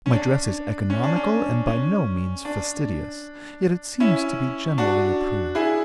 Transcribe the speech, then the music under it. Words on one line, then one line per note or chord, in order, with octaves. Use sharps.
My dress is economical and by no means fastidious; yet it seems to be generally approved.
C#4
D4
C#4
D4
C#4
C#4
D4
C#4 E4
D4 F#4
E4 G#4